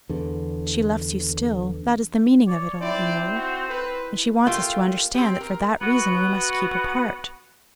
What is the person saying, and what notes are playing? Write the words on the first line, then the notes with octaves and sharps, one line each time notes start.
She loves you still,--that is the meaning of it all, you know--and she wants us to understand that for that reason we must keep apart.
E2 D3
C#5 D5
C4 D#4 E4 D5
F#4
A#4 B4
A3 A#3 F4 G4
C4 G4
A#4
B3 F#4